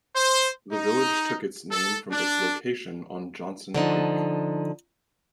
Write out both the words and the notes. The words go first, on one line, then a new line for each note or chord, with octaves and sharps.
The village took its name from its location on Johnson Creek.
C5
D#4
A4
D4
D3 F3 D#4